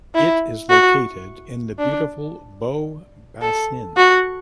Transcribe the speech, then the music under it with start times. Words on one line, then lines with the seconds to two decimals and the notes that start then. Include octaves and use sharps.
It is located in the beautiful Beau Bassin.
0.15 E4
0.70 F#4
1.79 D4
3.42 A4
3.97 F#4